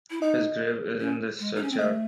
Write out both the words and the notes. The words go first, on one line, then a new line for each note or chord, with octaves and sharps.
His grave is in this churchyard.
E4
D#4 D#5
C#4
G#3
D#4
C#4
C4
A3 D#5